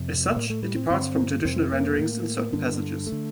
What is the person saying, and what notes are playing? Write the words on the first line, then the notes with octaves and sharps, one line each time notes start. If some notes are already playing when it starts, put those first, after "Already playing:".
As such, it departs from traditional renderings in certain passages.
Already playing: F2 C3
A2 A#3
A3
G3
C4
G2 D3 C4
F2 C3 C4
A#3
A2
G2 D3
A3
D3